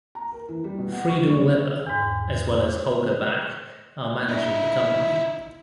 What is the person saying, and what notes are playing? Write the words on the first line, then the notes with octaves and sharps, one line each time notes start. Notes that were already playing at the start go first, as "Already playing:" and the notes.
Friedel Weber as well as Holger Back are managing the company.
A#5
A#4
E3
G3
B2
F#5
C#6
B1
E2 G#2
D#4 E4